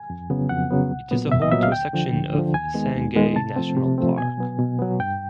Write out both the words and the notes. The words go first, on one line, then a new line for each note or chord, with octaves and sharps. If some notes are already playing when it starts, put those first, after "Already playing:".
It is a home to a section of Sangay National Park.
Already playing: G#5
F2
C#3 F#3 B3
F2 F#5
C#3 F#3 B3
C2
A#2 F#3 B3
C2 E5
D#5
A#2 F#3 B3 E5
F5
D2 G5
D3 F3
D2
D3 F3
D#2 G#5
D#3 G#3 B3
D#2
D#3 G#3 B3
C3 A5
F3 A3 C4
C3
F3 A3 C4
B2 G#5
F#3 B3
B2
F#3 B3
G2 G5